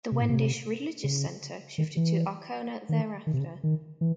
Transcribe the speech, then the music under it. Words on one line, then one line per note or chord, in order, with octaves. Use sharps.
The Wendish religious centre shifted to Arkona thereafter.
C3
A2
C3
C#3
D#3
E3
D#3
D#3
C3
C#3
D#3
E3